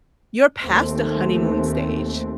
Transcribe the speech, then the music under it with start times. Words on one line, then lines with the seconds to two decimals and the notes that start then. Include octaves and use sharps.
you're past the honeymoon stage.
0.61 D#2 A3 C4